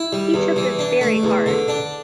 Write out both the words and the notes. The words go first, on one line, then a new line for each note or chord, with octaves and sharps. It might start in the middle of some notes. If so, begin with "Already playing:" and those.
He took this very hard.
Already playing: E4
G3
E2
E3
D4
A3
E2
D3
D4